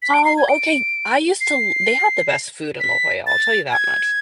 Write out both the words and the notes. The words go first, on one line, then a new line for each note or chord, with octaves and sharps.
Oh, okay. I used to l they had the best food in La Jolla, I'll tell you that much.
B6
D7
C7
G#6
D7
C7
B6
A6
G#6